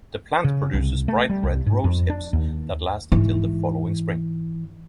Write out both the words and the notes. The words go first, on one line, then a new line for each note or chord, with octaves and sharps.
The plant produces bright red rose hips that last until the following spring.
C#3
C2
A3
G3
C2
G#2
F2
D4
D#2
G#2 E3